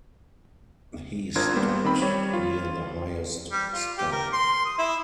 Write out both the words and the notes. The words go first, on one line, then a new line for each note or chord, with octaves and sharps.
He stopped near the highest step.
G#1 D4 F4 A#4 C5 G#6
G3 A#3 B3 C5
D#3 C4 B5
G3 C#5
F4
G3
F4
G4
A#4
C6
D#6
E4